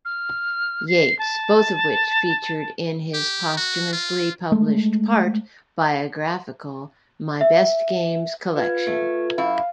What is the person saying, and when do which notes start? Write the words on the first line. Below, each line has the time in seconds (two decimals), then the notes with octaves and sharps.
Yates, both of which featured in his posthumously published, part-biographical, 'My Best Games' Collection.
0.05 F6
0.88 C7
1.19 A5
3.14 G4
3.57 F#4
3.93 F4
4.52 G#3 A3
7.41 E5
8.56 F4 B4 F5 G#6
8.87 A3
9.38 F#2 E4 F5